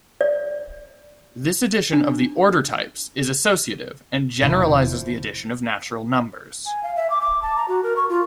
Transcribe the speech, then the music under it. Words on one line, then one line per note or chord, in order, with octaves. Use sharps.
This addition of the order-types is associative and generalizes the addition of natural numbers.
D5
D4
E1 D2 C3 D#3 F3 E4
G#5
F5
E5
D6
D6
A5
A#5
F#4
A#4
C#6
F4